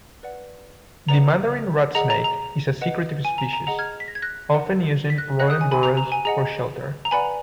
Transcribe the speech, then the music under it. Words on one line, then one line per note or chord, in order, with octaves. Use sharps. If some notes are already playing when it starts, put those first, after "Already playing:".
The Mandarin rat snake is a secretive species, often using rodent burrows for shelter.
B4 D5 F#5
B4 D5 F#5 A#5
G#4 D#5 F#5 A#5
A#5
A#5
B4 D#5 F#5
G#5
A#5
A#5
G#4 D#5 F#5 A#5
F6 G#6
B6
A#6
G#6
F#6 A#6
A#4 D5 F#5
B6
F#6 A#6
G#4 D#5 F#5 F#6 A#6
D#6 F#6
G#5
G#5 B5
A#5
A#5
G#5
G#4 D#5 F#5 A#5
A#5
B4 D5 F#5 G#5 B5